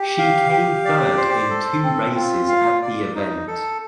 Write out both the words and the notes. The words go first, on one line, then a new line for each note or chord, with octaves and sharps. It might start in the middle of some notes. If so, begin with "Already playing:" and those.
She came third in two races at the event.
Already playing: G4
F5
G4
D5
C5
A4
C4
F4
F5
D5
D#4
A4